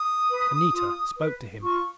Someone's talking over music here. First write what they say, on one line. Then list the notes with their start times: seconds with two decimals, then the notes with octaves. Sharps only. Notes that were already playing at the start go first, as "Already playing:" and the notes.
Anita spoke to him.
Already playing: D#6
0.29 B4
0.73 F4
1.18 B4
1.62 F4 C#6